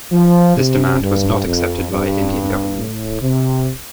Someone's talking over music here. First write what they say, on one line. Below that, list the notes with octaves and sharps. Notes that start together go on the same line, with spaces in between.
This demand was not accepted by Indian government.
F3
C3
G2
F2
G2
A2
C3